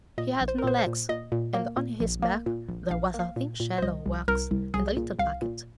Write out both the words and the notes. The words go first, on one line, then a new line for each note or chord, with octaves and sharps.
He had no legs; and on his back there was a thin shell of wax and a little packet.
A#2 D#5
A#1
C5
A#4
A#2 C5
C5
A#2
A#2 D#5
A#2
A#3
A#2
A#1
A#3
A#2
A#1
A#1 F5
A#3 F5
A#2
A#2
C5
C2 D#5
C2
C2 A#4
C2
C2 G#4
A#2
C2 F5
A#2